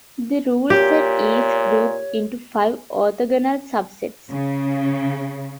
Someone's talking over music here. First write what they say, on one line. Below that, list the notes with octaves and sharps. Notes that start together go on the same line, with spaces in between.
The rule-set is grouped into five orthogonal subsets.
A#2 G4 C#5
C#3